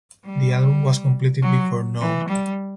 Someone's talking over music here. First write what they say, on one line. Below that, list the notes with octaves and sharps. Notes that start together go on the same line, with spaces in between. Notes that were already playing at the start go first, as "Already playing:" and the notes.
The album was completed before "No".
G3
F#3
E3
G3